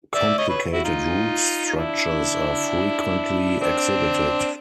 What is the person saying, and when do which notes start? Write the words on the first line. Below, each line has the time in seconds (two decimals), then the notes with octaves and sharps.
Complicated root structures are frequently exhibited.
0.15 D5 E5
0.38 C#5 D#5
0.49 B4 C#5
0.72 E4 F#4
0.84 D#4 F4
1.66 D#4
1.76 D4 E4
3.61 C4 D4